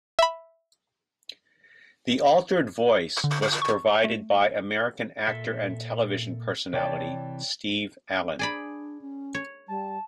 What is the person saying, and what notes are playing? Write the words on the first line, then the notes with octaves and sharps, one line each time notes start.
The altered voice was provided by American actor and television personality Steve Allen.
E5 B5
D3
C#6
A3
A#2 A4 E5
C3 E3 C#5 D5 G5 A5
D4 G#4 D5 B5
C#4
C#5
G3 A5